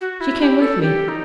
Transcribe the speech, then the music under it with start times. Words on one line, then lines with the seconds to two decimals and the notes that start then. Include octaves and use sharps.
She came with me.'
0.01 F#4
0.21 E4
0.41 G4
0.62 A4
0.82 G4
1.08 D#4